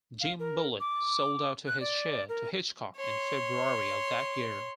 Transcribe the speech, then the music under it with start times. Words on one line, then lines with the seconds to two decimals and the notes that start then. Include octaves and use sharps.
Jim Bulleit sold out to his share to Hitchcock in February of that year.
0.21 F5
0.39 A#4
0.80 D6
1.67 F#6
1.80 D5
2.29 A#4
2.96 C#5 C6